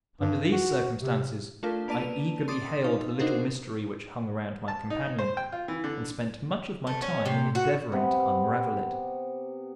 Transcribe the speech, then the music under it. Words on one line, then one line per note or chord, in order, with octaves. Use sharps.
Under these circumstances, I eagerly hailed the little mystery which hung around my companion, and spent much of my time in endeavouring to unravel it.
G2
F#4
C3
A3 D4 F4 A#4
A#3 B4 D5 A5 D#7 F7
C6 D6 D#6 A6
D#4 F5
D4 D#4 F#4 A#4 C5
A5
D#4
C5
G5
F4
E3
D3
A3
C#4
C3
F#4
C3 B3